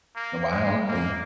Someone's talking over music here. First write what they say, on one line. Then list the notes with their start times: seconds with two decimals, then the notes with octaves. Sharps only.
Oh, wow. Okay.
0.15 A#3
0.51 G#3
0.88 A#3